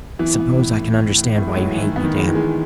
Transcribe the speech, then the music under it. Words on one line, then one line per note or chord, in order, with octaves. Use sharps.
"I suppose I can understand why you hate me, Dan."
E3 B3
B3
A2
A2
A2
A2
A2
G#3
A2 F#3
E3
D#3 E3
B3
D#3
G#3
E3
G#3